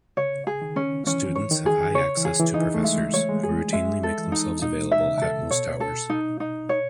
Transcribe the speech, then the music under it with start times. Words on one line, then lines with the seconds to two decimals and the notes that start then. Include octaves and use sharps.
Students have high access to professors, who routinely make themselves available at most hours.
0.17 C#3 C#5
0.47 G#4
0.62 D#3
0.76 C#4
1.06 E3 C#4
1.35 C#5
1.51 D#3
1.66 G#4
1.95 C#3 C#5
2.17 E3
2.25 G#4
2.40 E3
2.54 D#4
2.62 E3
2.74 A3
2.84 G#3 E5
3.13 C#5
3.29 G#3
3.43 G#4
3.73 G#3 E5
4.03 A4
4.18 E3
4.32 D#4
4.62 B2 D#4
4.92 E5
5.06 C#3
5.21 A4
5.51 B2 C#5
5.80 A4
6.10 D#4
6.40 D#4
6.69 C#5